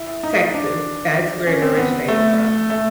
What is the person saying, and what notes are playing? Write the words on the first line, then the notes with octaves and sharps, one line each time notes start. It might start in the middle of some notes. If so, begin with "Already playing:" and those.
Texas, that's where it originated from.
Already playing: E4
D#4
D4
C#4
C4
B3
A3
A3